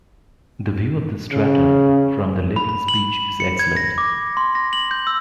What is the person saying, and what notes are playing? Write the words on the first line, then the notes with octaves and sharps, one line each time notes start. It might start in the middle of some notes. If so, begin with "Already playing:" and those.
The view of the strata from the Ladies Beach is excellent.
C#3
B5
B5
F#7
C#7
G#6
A#6
D6
C6
A#6
F#7
G6
E6